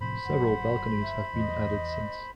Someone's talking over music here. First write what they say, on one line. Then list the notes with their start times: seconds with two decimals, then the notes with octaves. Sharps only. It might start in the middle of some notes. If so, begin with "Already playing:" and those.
Several balconies have been added since.
0.01 A2 C3 F3 C5 B5
0.25 G1 F#3 F#5
1.02 E5
1.33 E2 D#5